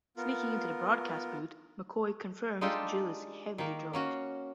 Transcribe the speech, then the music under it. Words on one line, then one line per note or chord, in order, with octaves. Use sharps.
Sneaking into the broadcast booth, McCoy confirms Gill is heavily drugged.
B3 F4 A#4
G#3 D4 D#4 F4 G4 A4
D#3 A#3
A#3 C#4 F#4